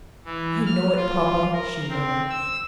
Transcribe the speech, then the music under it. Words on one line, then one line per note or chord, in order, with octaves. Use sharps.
"I know it, papa," she murmured.
E3
F6
F4
A#4
C4
E6